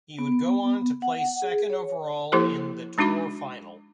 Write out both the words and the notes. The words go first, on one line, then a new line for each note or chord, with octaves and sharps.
He would go on to place second overall in the Tour Final.
B3
F#5
G#4
C#5
F3 A#3 E4 G4 A4 C5
G#3 D4 D#4 F#4 B5 D6